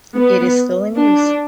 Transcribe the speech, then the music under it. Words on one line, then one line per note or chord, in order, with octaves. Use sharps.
It is still in use.
B3
D4